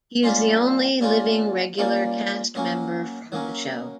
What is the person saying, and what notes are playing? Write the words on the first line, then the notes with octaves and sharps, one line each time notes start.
He is the only living regular cast member from the show.
G3 A#3 C#4 F4
G3 A#3 C#4 F4
G3 A#3 C#4 F4
F#3 A#3 C#4
F#3 A#3 C#4